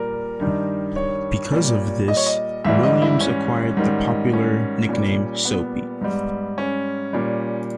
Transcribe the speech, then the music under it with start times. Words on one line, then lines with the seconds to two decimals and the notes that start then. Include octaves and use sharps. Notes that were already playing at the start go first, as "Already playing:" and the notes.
Because of this, Williams acquired the popular nickname Soapy.
Already playing: A#2 G3 A#4
0.40 G2 D#3 G3
0.96 C#5
1.52 A#2 G3
2.08 D#5
2.17 C#5
2.26 D#5
2.64 G#2 E3 G3 E5
2.83 D#5
3.02 E4
3.21 C#4
3.77 G#2 D#3 G3
4.33 C#4
4.89 A#2 G3
5.45 B3
6.01 G#2 G3
6.58 C#4
7.13 A#2 G3